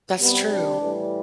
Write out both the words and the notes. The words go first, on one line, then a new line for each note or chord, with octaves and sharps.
That's true.
C3 G3 B3
D4
A2 E3 G3